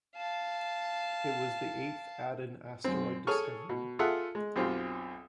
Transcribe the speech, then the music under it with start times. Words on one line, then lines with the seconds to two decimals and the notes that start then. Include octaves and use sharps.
It was the eighth Aten asteroid discovered.
0.16 F5 A5
2.84 F#2 C4
3.27 G#4 A4 C#5 G#5 C#6 F6
3.69 B2
3.99 F4 G#4 A4 E5 F#5
4.35 G#3
4.56 B1 F#2 C4 F4 G4